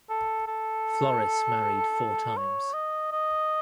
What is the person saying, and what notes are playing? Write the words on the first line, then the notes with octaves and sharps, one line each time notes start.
Floris married four times.
A4
A4
C#5
D#5
D#5